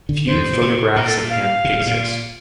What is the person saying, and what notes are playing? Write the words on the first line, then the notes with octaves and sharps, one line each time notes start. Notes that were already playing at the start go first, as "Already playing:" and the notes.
Few photographs of him exist.
D3
G2 C5
F2
G2
A#2
C3
A#2 A#4
A4
F5
C3
A#2
A2
A#2